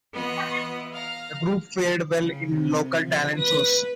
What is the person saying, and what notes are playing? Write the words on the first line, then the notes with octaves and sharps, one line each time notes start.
The group fared well in local talent shows.
E3 B3 F4 D#5 F#5
F5 A#5 F6
C#3
C3
F3
B4